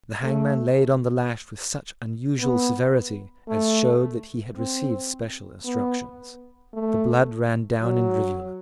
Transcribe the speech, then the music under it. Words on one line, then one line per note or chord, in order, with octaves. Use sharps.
The hangman laid on the lash with such unusual severity as showed that he had received special instructions. The blood ran down in rivulets.
A3
B3
A3
C4
B3
A3
F#3